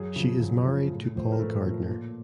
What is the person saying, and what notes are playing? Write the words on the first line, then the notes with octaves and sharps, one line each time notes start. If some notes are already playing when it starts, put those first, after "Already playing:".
She is married to Paul Gardner.
Already playing: F#2 G#4
C#3 F3
F#2
C#3 F3
A2
F3 A3 C5
B4
A#4
A2 A3 A4
F3 A3
A#2